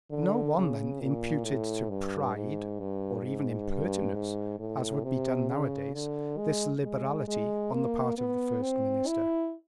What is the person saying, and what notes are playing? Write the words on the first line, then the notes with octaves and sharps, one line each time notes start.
No one then imputed to pride, or even impertinence, as would be done nowadays, this liberality on the part of the first minister.
D3
C#3
A#2
A2
G2
G#2
G2
G#2
G2
G#2
A2
C3
C#3
D3
G#3
G#3
G#3
A#3
B3
C4
E4